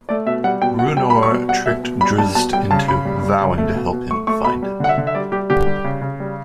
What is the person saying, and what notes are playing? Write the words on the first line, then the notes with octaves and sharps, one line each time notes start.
Bruenor tricked Drizzt into vowing to help him find it.
A3 D5
B2 E5
G3 F#5
B2 G5
B2 F#5
G3 G5
B5
G3
C#6
B2
G3 F#5
B2 E5
B2
G3 B5
G3 A5
B2 A5
G3 G5
C#3 A5
C#3 B5
G3
G3
C#3
A3
B2
B2
A3 C#6
A3 C#6
B2 B5
G3
D3 F#5
E5
D3
E5
G3 D5
G3 G4
D3 G4
G3
C#3
C#3
G3